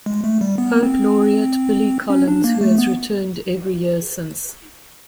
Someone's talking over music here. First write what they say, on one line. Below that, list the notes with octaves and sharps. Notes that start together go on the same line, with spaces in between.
Poet Laureate Billy Collins, who has returned every year since.
G#3
A3
G3
B3
C4
C#4
D4
A#3
A3
B3